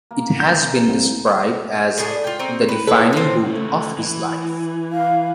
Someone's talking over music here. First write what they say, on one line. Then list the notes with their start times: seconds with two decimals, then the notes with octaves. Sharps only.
It has been described as "the defining book of his life".
0.11 A#3 A#4
0.40 G6
0.87 C2
1.98 A2 D4 G#4
2.24 F4 G5
2.39 C4 D#4 F#4
2.69 B4
2.87 E4 A4 B4 C#5
3.13 F3 C4
3.46 C#3 A3
3.98 E3
4.92 F5